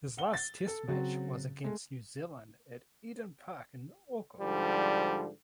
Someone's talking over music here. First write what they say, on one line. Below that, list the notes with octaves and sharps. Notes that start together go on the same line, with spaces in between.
His last test match was against New Zealand at Eden Park in Auckland.
F#5 G7
A6
A4
C#3 F#3 C4 F#4
G#3 A3
G#2 D3 F3 G3